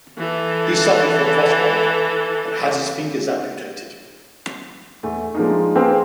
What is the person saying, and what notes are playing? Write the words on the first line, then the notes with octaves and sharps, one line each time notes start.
He suffered from frostbite and had his fingers amputated.
E3 A4
E2 A3
F3 G#3 A#3 D4 D#4
A#3 C4 G#4 B4 F5 G5